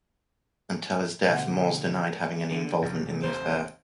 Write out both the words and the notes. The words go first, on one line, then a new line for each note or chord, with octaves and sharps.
Until his death Moores denied having any involvement in the affair.
D2 B2 C5 E5 F#5
D3
F1 F#2
F1 D#2 C5